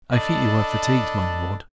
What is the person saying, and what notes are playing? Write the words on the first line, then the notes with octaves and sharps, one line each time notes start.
'I fear you are fatigued, my lord.
D4 A4 D5 D#5 A5 B5